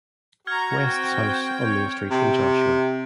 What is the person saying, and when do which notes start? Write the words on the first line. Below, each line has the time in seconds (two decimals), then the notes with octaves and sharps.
West's house on Main Street in Joshua.
0.47 F#4 A#5 C#6 F6 G#6
0.85 C4 G5
1.64 C#5
2.11 C3